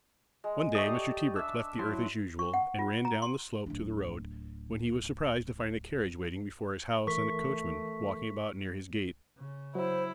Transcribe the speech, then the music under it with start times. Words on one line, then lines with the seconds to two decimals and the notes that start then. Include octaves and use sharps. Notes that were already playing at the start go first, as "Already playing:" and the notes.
One day Mr. Tebrick left the earth as usual and ran down the slope to the road, when he was surprised to find a carriage waiting before his house and a coachman walking about near his gate.
0.44 G#3
0.75 A3 G4 D5 D#5 C#6 D#6
1.36 D4 E5 E6
1.79 F#3 E4 C6
2.39 C#6
2.54 F#5
2.79 F4
3.05 A#5
3.22 C6
3.66 D1 D4
7.07 E3 A3 A#4 C#6 B6
9.38 C#3
9.75 F#3 E4 C5